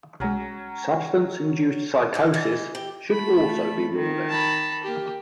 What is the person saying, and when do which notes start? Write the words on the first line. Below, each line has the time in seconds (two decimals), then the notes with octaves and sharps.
Substance-induced psychosis should also be ruled out.
0.20 B1 F#3 G#3 C#4
2.14 E3 D#5
2.34 E3 D#5
2.75 G4
3.10 A3 B5
3.94 D#3
4.29 A5 B5
4.83 A#3 G4